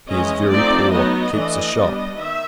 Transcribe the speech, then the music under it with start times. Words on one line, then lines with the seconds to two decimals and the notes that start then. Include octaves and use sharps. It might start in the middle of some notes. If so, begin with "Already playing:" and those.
He is very poor; keeps a shop.
0.08 E3 G#3 C#4 D#5
0.50 F3 A3 C4 D#4 D5
0.91 F#3 B3 D#4 D#5
1.33 E3 A3 D4
1.75 G3 B3 D4
2.16 D#3 E5